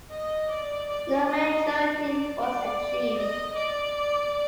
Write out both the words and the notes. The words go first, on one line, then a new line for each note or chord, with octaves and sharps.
No majority was achieved.
D#5
D5
D5
D#5
D5
D5
D5
D#5
D5